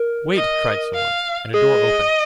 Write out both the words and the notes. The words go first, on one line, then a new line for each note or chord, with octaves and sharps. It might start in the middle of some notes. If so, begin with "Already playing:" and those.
"Wait," cried someone, and a door opened.
Already playing: A#4
D#5
F5
G#4 D#5